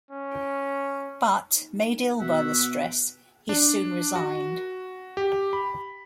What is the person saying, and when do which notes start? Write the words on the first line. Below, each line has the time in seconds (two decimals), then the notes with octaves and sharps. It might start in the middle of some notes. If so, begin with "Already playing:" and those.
But, made ill by the stress, he soon resigned.
0.10 C#4
2.20 B2 F#4 E5 F#5
3.49 D4
4.15 F#4
5.17 G4
5.53 B5